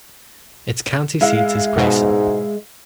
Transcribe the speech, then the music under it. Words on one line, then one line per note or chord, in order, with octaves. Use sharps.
Its county seat is Grayson.
G#3 E4 F5
G#2 B2